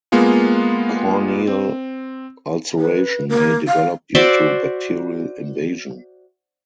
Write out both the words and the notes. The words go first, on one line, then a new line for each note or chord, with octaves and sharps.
Corneal ulceration may develop due to bacterial invasion.
G#3 A#3 B3 F4 G#4
C4
B4
A#3
F5
F#4 C5 D5 E5